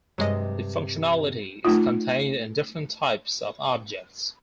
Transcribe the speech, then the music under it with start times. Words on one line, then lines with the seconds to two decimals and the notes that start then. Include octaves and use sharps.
The functionality is contained in different types of objects.
0.18 G2 C3 F#3 G#3 D#5
1.65 A3 D#4 F4